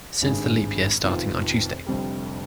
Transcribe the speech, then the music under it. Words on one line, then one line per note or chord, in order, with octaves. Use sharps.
Since the leap year starting on Tuesday.
G#1 G2 D#3 G#3
F1 F2 D#3 B3 F4
F1 F2 D3 G3